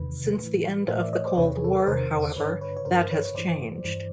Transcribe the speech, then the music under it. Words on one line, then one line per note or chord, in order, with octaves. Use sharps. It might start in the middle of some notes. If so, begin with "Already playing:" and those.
Since the end of the Cold War, however, that has changed.
Already playing: E2 C3 D#3 B4
A2 E3
A2 E3 A#4 C5
D5 E5
C#5 D#5
C5 D5
E2 C3 D#3 B4 C#5
G#4
A4
A#4
B4
E2 C3 D#3 A#4 C5
G2 D3 B4 C#5
B4 C#5
C#5
G2 D3 A#4 C5
B4 C#5
C#5
G2 E3 C5 D5
G2 E3